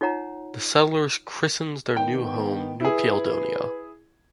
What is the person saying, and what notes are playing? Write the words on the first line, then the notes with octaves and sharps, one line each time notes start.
The settlers christened their new home "New Caledonia".
D#4 F4 C#5 F#5 A#5
D#3 B3 G5
E4 G#4 B4